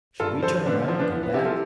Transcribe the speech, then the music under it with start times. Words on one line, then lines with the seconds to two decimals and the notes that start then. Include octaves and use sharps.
Should we turn around and go back?
0.20 G2 F4 A4
0.43 F3 A4 C5
0.66 D3 B3 D4
0.88 F3 C4
1.00 B3 D4
1.12 E3 B3
1.23 B3
1.34 C3 E4 G4
1.45 F4 A4